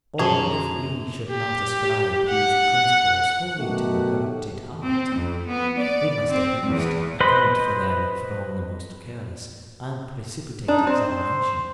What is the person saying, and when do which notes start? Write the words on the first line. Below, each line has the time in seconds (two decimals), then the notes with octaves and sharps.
Or if we should not ascribe these principles wholly to a corrupted heart, we must at least account for them from the most careless and precipitate examination.
0.19 F#2 B2 G#4 A5 A#5 C6 C#6
1.30 G4
2.30 F#5
3.58 B2 D#3 F#3 A3 F#4 G4
4.84 C4
5.16 F2
5.47 B3
5.79 D5
6.31 C4
6.68 E2
7.21 B4 C5 D#5 B5 C6
10.68 D4 D#4
10.87 C4 C5